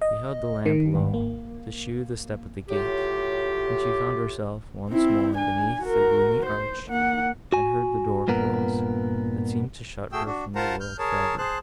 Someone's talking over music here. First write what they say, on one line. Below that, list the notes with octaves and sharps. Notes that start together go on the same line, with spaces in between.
He held the lamp low, to shew the step of the gate, and she found herself once more beneath the gloomy arch, and heard the door close, that seemed to shut her from the world for ever.
D#5
D#3
G#1
A#3
A2 F#3 F4 G4
C4 E4
D4 G#5
F#4 A#4
C5
A#3 F#5
F#4 G#5
G2 A#2 B3 A#4
A3 F#4 G#4 G5 E6
D4 F#4
F4 A#4 C5 F#5 A5 A#5
F6 G6
G#4 A#4 C#5 A5
G#4 C5 A5 F#6